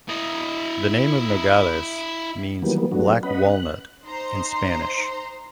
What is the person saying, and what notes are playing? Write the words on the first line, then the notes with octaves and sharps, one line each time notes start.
The name of Nogales means "black walnut" in Spanish.
E4 D#5
D#3 E3 F#3 G3 A#3 B3
F#3 A3 B3 D4 F#4
C#4 B4 D#5 F#5 B5
F#6
D#4 C5 A#5 C6